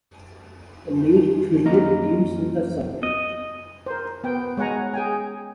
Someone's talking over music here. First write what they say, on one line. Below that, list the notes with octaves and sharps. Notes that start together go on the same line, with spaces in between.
Lead fielded teams in the circuit.
F#2 F3 A#3 C#4 D#5 A#5
D#5
A#4 C5
B3 G5
G#3 C#5 F#5 G#5 A#5
G#4 G5 G#5